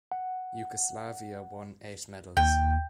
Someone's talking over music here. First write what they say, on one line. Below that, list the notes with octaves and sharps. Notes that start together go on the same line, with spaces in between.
Yugoslavia won eight medals.
F#5
D#2 G5